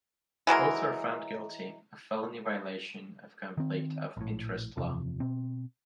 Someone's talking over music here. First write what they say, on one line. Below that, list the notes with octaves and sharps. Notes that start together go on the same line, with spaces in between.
Both were found guilty of felony violation of conflict of interest law.
E3 F#3 G#3 A#4
D#3 C4
A#1 A2
F#1 E2 C3 F3
B2 C4